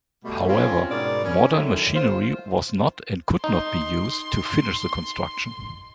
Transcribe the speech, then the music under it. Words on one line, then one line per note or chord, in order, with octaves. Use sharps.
However, modern machinery was not and could not be used to finish the construction.
B2 G3 A3
C4 C#4 F4
G#2 B2 A#4 D5
C#4
D3 D#3 F#3 E4
F4 C5
D#4 C6